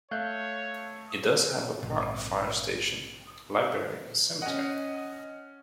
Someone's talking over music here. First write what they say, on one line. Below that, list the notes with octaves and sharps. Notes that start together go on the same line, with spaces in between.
It does have a park, fire station, library and cemetery.
A3 C#5 E5 F5 F#6 G6
A#1 G#2 C3
C#4 D#5 F#5